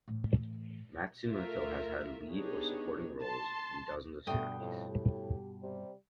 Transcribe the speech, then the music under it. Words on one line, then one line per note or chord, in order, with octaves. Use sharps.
Matsumoto has had lead or supporting roles in dozens of series.
A2 E3
A3 F4 A#4 E5
B3 D4 D#4 G4 G#4 C#5
A5 C6
G2 B2 D3 A3 G5 D#6
F2 A2
G4
C3 G3